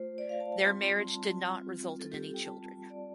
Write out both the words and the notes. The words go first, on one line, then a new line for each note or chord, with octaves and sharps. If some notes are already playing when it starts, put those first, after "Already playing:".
Their marriage did not result in any children.
Already playing: A3 F4 C5
D5
F5
A5
A5
G3 C4 F4 C6
A5
G3 C4 F4
A4
G4
A4
G5
G3 C4 F4 A5
D5